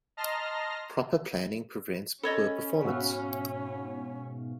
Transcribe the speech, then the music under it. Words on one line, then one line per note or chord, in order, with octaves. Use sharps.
Proper Planning Prevents Poor Performance.
D#5 A5 A#5 C6 F6 A#6
C#4 A4 C#5 D#5 B5
G#2 B2 F#4 E5 F5